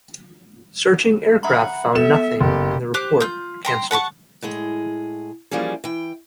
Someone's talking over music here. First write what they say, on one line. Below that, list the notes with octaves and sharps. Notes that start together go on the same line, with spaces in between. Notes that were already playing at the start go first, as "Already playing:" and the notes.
Searching aircraft found nothing and the report cancelled.
E5 F#5 A#5 B5
B3 A4 E5 A6 E7
F#1 G4
G4 C5 D6 F#6
F4 G6
G5 A#5 C6
F#5 A5 B5 C#6
A2 G#3 G#4
E3 F3 G3 A#3 C#4 G#4
E3 G5